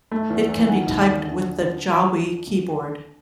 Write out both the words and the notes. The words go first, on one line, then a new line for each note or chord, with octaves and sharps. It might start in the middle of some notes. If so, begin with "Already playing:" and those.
It can be typed with the Jawi keyboard.
A3
E2
E2
D#3 F#5 G#5
D#2
D#2
D3